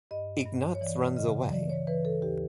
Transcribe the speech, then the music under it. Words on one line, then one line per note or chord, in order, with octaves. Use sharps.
Ignatz runs away.
G2 D#5
G2
C#5
E3 D5
C#3 D#5
E3 D5
C#5
E3 B4
A4
D#2 G4